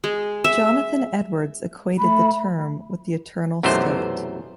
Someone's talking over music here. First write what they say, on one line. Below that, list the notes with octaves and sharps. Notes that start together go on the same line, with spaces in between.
Jonathan Edwards equated the term with the eternal state.
G#3
E5
A3 B5
B1 F#2 C3 E3 A3 C5